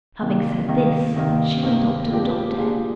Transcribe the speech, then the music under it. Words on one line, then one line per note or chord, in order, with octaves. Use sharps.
Having said this she went up to the doctor.
C3 D#3 A#3
C3 D#3 A#3
C3 D#3 A#3
C3 D#3 A#3
A#2 G#3 D4 G4
A#2 G#3 D4 G4